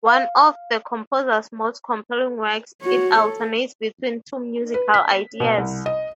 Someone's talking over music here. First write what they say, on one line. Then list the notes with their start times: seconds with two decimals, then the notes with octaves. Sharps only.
One of the composer's most compelling works, it alternates between two musical ideas.
0.06 F5
2.83 F#4 C#5
3.19 A4
4.74 B4
4.94 B6
5.40 B2
5.58 C2
5.86 D#5